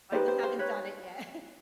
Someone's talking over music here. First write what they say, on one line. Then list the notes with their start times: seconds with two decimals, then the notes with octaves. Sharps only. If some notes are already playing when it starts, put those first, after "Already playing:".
But I just haven't done it yet.
0.12 D#4 G4 B4 C5 D5
0.28 C5
0.43 C5
0.59 B4 C#5